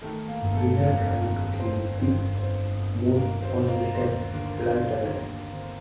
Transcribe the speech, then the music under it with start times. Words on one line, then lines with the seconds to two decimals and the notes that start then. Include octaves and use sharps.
Winner tried to keep the mood on the set lighthearted.
0.02 D#3 A3 A4
0.28 A#3 A#4
0.41 G1
0.54 A3 A4
0.80 F2 A#3 A#4
1.20 D#3
1.59 D#3 C4 C5
1.98 G1 C4 C5
2.37 G1 C4 C5
2.76 G1
3.16 D#2 A#3 A#4
3.42 C4 C5
3.55 F3
3.68 A#3 A#4
3.95 D#2 C4 C5
4.33 D3 A#3 A#4
4.73 F3 F4
4.94 D4
4.99 D#3 D#4
5.12 D#2
5.25 A#3
5.51 D3 C4
5.60 A#3